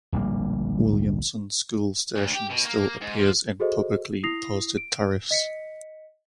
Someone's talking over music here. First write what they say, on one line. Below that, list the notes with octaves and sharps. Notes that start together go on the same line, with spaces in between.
Williamson School station still appears in publicly posted tariffs.
D1 A#1 G3 A#3
D2
G4
B2
A#3
G#2
F3
F#4 G#4 A4 C5 D#5
E4 D#6 A#6 C7 F7
D7
D#5 B6 C#7